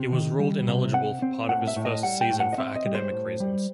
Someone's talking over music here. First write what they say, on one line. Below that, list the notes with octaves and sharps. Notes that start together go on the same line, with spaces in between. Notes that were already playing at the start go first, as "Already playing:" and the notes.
He was ruled ineligible for part of his first season for academic reasons.
Already playing: C3
D#3
G3
C3
C4 F#5
C4
A2 F#5
E5
A2
D#5
G3 F#5
G5
A2
F#5
D#5
C4 E5
D#5
G3
C5
A2
G3